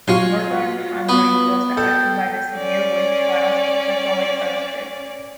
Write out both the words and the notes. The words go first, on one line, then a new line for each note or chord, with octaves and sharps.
Northern Hungary was affected by the severe witch trials of Catholic Austria.
F#3 F4 C#5 G#5 C6
B3 F#4 B4
A4 G5
C#4 D5